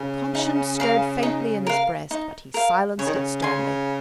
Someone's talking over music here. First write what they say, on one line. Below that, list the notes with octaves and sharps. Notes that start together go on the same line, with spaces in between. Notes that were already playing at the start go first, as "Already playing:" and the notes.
Conscience stirred faintly in his breast, but he silenced it sternly.
Already playing: C#3
D#4
A#4 F5
D#4
A#4 F5
D#4
A#4 F5
C#3 C#5
D#3
C#3
G#5 C6